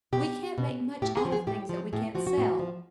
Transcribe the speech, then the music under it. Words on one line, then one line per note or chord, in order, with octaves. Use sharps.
"We can't make much out of things that we can't sell."
B2 G4
B2
A2 G4
G#4
F3
G#4
A2 G4
F3
A2 G#4
F3 F#4
F#4
A2
F3